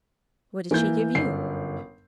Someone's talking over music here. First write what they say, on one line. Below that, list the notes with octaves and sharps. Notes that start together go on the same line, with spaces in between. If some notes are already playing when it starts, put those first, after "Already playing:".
'What did she give you?'
E3 A#3 G6
G1 F#2 C7